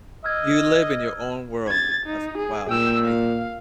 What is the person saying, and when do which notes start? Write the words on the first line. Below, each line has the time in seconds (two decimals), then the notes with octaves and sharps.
You live in your own world. That's wow, this is amazing.
0.24 D#5 E6 F6 G#6
1.67 G#6 A6
2.06 D#4
2.37 G#4
2.69 A#2 G5 E6
3.04 F5